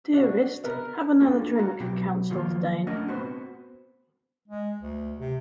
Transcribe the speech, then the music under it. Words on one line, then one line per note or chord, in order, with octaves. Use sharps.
"Dearest, have another drink," counselled Dane.
D4 F#4
B3 A#4
A#3 D4 F4 F#4 A4
F#4 F5 A#5
B2 F#3 C4 F#4 G4
D#3 F3 F#3 A#3 F4
A3 C#4 D4 A#4 D#5 F#5
B3 C4 F#4 B4 C5
G#3
D2
C3